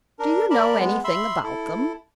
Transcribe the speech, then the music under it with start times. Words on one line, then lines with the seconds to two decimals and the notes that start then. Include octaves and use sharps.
Do you know anything about them?'
0.19 D4 A#4
0.51 A#4 D5 A5 B5
0.79 G#3 B3
1.04 E5 B5 C6 E6
1.43 E4 A4